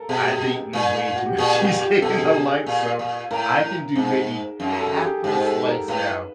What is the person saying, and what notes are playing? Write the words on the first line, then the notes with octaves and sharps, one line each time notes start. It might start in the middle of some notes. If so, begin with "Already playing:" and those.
I've eaten way too much cheesecake in my life, so I can do maybe half of a slice now,
Already playing: A4 A#4
B2 G#4
G4
G#4
A#2
F#4
G4
A#2 G#4
G4
G4
B2 A4
G#4
G4
G#4
A#2
A#2
A2 A#4
G#2
F#2
A#4
A4
G#4
G4
G#2 G4
A4
A#4
A2 B4